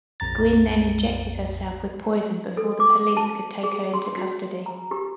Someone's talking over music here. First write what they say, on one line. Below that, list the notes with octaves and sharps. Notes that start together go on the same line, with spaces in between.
Gwyn then injected herself with poison before the police could take her into custody.
A#1 F2 A#5 A6
A4
D6
A5
G#4
C6
F#4
A#5
G4